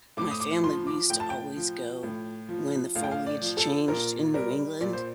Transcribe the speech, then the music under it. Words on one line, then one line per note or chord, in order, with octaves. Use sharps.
my family we used to always go when the foliage changed in New England,
A2 D6
D#6
D6
F3 C6
D6
A2 G5
A5
G5
F3
A2
F3
A2 F5
G5
F5
D5
F3
A4
A#2 A#4
G3 A#4
A#2 D5
C5